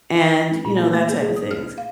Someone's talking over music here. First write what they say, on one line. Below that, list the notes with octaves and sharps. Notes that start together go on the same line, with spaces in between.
and, you know, that type of things.
A#2
A#3
A3
G#4
D#6
F6
F5